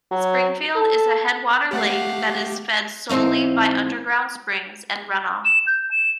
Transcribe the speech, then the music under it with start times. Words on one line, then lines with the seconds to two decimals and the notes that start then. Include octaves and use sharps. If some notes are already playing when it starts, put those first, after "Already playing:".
Springfield is a headwater lake that is fed solely by underground springs and runoff.
0.11 F#3
0.76 A4
1.71 A3 G4 F5 F#5
3.09 G#2 E3 C4 D#4 F5
5.45 E7
5.67 G6
5.91 E7